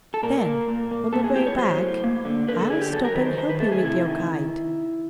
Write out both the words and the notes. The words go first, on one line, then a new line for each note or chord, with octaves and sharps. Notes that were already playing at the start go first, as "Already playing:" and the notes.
Then, on the way back, I'll stop and help you with your kite.
A4
A#2 A#4
A#3
A#2
A#3
B3 A4
G#4
A2 G4
C#5
F#3 C5
A2
A#3
D3
D3 B4
A#4
A4
D3 G#4
G4
F#3 A4
A#4
D#3 B4
C5
D#3 C5
B4
A3 A4
G#4
C3 E4
D#3